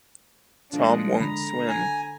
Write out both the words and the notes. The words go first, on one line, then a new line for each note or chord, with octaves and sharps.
Tom won't swim.
D3 F3 G#3 D4
D3 A#5 B5
G#5